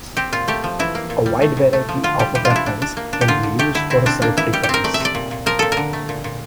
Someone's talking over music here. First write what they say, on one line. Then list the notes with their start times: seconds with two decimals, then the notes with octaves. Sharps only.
A wide variety of weapons can be used for self-defense.
0.17 C4 G4
0.32 A#2 F4
0.48 A3 G4
0.64 F3
0.79 E3 E4
0.95 A#3
1.10 A#2
1.26 G3
1.42 A3
1.57 A2
1.73 A3
1.89 F3
2.04 D3 F4
2.19 G3 G4
2.35 E3 G4
2.45 F4
2.50 D4
2.56 E4
2.66 D4
2.82 D4
2.97 A#3
3.13 D4
3.21 G4
3.28 D3 F4
3.43 D3
3.59 A3 G4
3.75 D3 E4
3.90 C4 E4
4.06 C4 D4
4.22 A#3 D4
4.37 E3 E4
4.53 G3 G4
4.63 G4
4.69 C4 A#4
4.84 A3 D5
4.94 E5
5.00 C3 D5
5.15 A#2
5.31 A#2
5.46 F3 A#4
5.59 A#2 A4
5.72 A#4
5.77 D3
5.93 A3
6.09 A#2
6.24 A#2